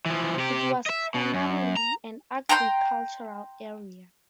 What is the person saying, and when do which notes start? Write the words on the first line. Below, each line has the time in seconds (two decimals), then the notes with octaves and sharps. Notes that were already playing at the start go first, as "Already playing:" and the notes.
It was primarily an agricultural area.
0.06 E3 F3
0.38 C3 G4
0.86 D#5 E5
1.14 B2
1.34 F#2
1.76 A#5
2.49 G5 A#5 C6 G6